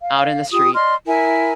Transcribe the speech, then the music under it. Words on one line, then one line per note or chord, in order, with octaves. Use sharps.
out in the street,
F5
F4 G4 D#6
D5 D#5 C6 F6
E4 A#4 G#5